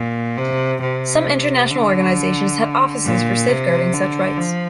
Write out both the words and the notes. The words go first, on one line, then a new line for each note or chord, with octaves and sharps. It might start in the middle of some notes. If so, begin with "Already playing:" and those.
Some international organizations have offices for safeguarding such rights.
Already playing: A#2
C3
C3
D3
A#2
C3
D3
F3